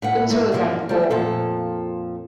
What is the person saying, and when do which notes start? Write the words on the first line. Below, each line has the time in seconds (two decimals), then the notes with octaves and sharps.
it was really kind of cool.
0.02 A2 B4 F#5
0.29 G#2 A3 A#3 E5
0.52 G2 E3 F3 G3 A#3 F#4
0.89 G3 A3
1.10 F2 A#2 F3 A4